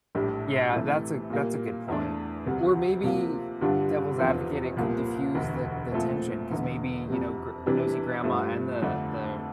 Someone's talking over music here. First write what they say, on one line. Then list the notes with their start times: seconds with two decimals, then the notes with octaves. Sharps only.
Yeah, that's a that's a good point, or maybe, er, devil's advocate, it could diffuse the the tension 'cause maybe, you know, gr nosy grandma and the the
0.15 A#1 A2 G3 D4 G4
0.72 C3 E3 A3
1.30 A#2 G3 A#3
1.88 E2 E3 A3 D4
2.46 D2 C3 G3
3.04 C3 F3 A#3 F4
3.61 G2 D3 G3 D4 F4
4.19 F1 E2 C3 F3 C4
4.77 C2 A#2 F3 A#3
5.35 E1 D2 D3
5.92 A#2 F3 A3 C4
6.51 E1 E2 D3
7.09 F2 C3 G3
7.66 C3 E3 G3 D4 G4
8.24 G2 F3 A3
8.82 F2 D3 A3 D4